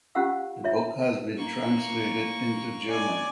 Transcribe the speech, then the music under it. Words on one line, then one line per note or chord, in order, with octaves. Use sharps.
The book has been translated into German.
C#4 F4 G4 F5 F#5 E6
F4 C#5 E5
A#3 C#6
D5 G#5